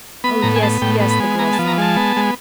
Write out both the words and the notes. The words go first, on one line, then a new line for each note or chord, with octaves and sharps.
"Oh, yes, yes," the girl sobbed.
B3 B5
A2 A#5
G#5
B3 A5
A2 G5
B3
B5
G#3
B3 A#5
A5
F3
A#5
G#3 A5
B3
G#3